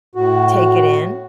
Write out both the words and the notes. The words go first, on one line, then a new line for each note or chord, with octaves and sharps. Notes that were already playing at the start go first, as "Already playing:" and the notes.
take it in
A2 F#4